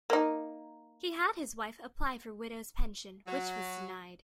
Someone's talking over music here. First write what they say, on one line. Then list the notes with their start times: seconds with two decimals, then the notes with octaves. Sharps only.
He had his wife apply for widow's pension, which was denied.
0.10 A#3 D#4
3.27 F#3